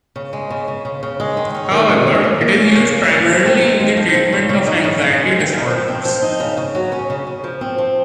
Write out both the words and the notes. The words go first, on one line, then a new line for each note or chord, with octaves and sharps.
However, it is used primarily in the treatment of anxiety disorders.
C#3
G#3
C#3
C#3
C#3
C#3
G#3
D#3
C#4
D#3
D#3
C#4
A#3
A#3
C#4
C#3
C#4
A#3
F3
C4
D#4
F3
F3
C4
C#3
C#3
D#4
C#3
C#3
G#3
C4
F3
F3
C4
F3
D#4
C#3
C#3
F#3
C#4
C#3
C#3
F3
C4
F3